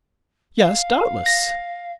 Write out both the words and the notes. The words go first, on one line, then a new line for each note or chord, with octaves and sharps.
"Yes, doubtless."
F5
A#6